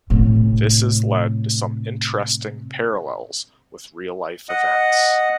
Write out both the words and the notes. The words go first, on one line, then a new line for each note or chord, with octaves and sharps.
This has led to some interesting parallels with real-life events.
A2 C3
D#5 F#5